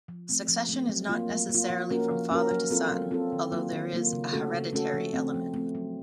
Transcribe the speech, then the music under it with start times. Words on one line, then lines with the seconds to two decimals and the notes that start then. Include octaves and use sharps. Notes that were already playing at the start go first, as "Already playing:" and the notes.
Succession is not necessarily from father to son, although there is a hereditary element.
0.08 F3
0.29 A3 C4
0.48 F3
0.69 A3 C4
0.89 F#3
1.09 A#3 F4
1.30 F#3
1.49 A#3
1.55 F4
1.70 F3
1.90 A#3 C#4 F#4 A#4
2.11 F3
2.30 A#3 C#4 F#4 A#4
2.51 F#3
2.71 C4 F4 A4
2.91 F#3
3.11 C4 F4 A4
3.32 D#3
3.52 F#3 A#3 F4
3.72 D#3
3.93 F#3 A#3 F4
4.13 C#3
4.33 A3 C#4 F#4 A4
4.54 C#3
4.73 A3 C#4 F#4 A4
4.94 F3
5.13 A3 C4
5.34 F3
5.54 A3 C4
5.75 F#3